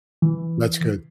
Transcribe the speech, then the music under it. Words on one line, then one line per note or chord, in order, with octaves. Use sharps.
That's good.
E3